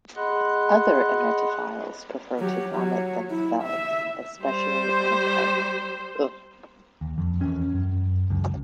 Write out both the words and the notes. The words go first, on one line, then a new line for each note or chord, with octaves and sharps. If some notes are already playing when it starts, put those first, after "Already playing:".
Other emetophiles prefer to vomit themselves, especially on a partner.
G#4 D#5 F#5 B5 C6 F#6
F#3 G4
F#3
E4
E5
G3 C5
D#2
F2
E2 C#4
F#2
C#2 F#2